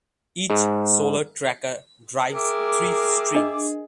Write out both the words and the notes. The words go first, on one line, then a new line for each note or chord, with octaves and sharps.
Each solar tracker drives three strings.
G#2
G#4 A#4 E5 G5 D6
D4 D#5